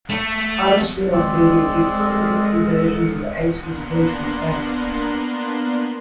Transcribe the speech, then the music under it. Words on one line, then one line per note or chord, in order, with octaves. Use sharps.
Other spin-off media give contradictory versions of Ace's eventual fate.
A3
D#3 G#3 C4 D5 E6
A4 A#4
A#3 B3 D4 A#4 C6 F#6